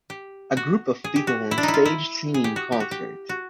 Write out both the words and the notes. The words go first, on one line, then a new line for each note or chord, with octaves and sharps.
A group of people on stage singing in concert.
G4
F#4
G#4
G4
F#4
E4
D4
D#4
E4
F4
E4
G#4
G4
F#4
G4
F#4
G4
F#4